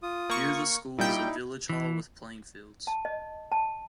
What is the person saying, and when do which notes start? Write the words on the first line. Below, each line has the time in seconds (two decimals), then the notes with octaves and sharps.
Near the school is a village hall with playing fields.
0.03 F4 D#6
0.30 A#3 C#6
0.98 A#2 G3 D#4 E4 G5
1.70 E3
2.87 A5
3.05 D#5
3.52 A5